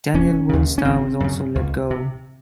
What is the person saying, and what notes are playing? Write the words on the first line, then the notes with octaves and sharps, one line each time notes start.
Danielle Moonstar was also let go.
F1 C#4
D#2 C#3
C#4
G#1 C4
F#2 C#3
C#2
C3